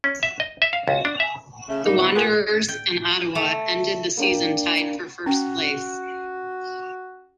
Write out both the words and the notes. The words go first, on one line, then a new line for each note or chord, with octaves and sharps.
The Wanderers and Ottawa ended the season tied for first place.
C#4
E5
D#5
E5
F5
C#2
D4
E5
C#3 A3
F#2 G3 A#3 D4 D#4
D3 B3 C4 E4 F#4
B3 F4 G4 G#4 A#4 B4
G5
A3
A#3 D4 G4
C#4 F#4 G5